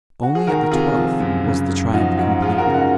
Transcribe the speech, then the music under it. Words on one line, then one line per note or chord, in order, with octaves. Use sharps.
Only at the twelfth was the triumph complete.
F#4
G#4
D#3 F#4 A#4
A#4
C3 F4 G#4
F3
F#2
C#3
F#2
F3 D#4 F#4
G#2 D#4 F#4
F3 F4 G#4
F#4 A#4
C#3
D#4 F#4